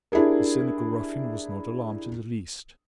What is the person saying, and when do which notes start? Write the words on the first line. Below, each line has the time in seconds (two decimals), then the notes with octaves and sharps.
The cynical ruffian was not alarmed in the least.
0.12 D4 E4 G4 G#4 A#4